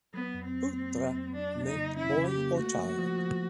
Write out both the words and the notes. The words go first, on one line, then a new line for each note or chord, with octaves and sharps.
"Putra" meant boy or child.
F#3 B3
F2
C4
F#3
A#3
F#3
F2
F#3 D4
A#3
D#4
C#3
C#4 E4
C#3
G4
A#3
A3 F#4
F3
F3
F3